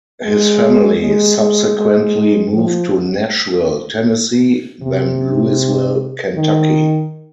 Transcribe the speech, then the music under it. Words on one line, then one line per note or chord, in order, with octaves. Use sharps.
His family subsequently moved to Nashville, Tennessee, then Louisville, Kentucky.
G#3
G#3
G#3
G#3
F3
C3
D#3